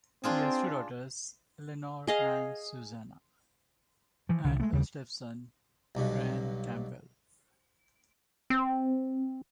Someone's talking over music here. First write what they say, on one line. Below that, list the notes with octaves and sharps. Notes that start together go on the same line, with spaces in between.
He has two daughters, Eleanor and Susannah, and a stepson, Brean Campbell.
C4 D4 F4 G#4
G#4 D#5 F5
E3 F3
C2 D3 D#3
G#3 A3 B3
D#2 C#3 G3
B1 G2 B2
C4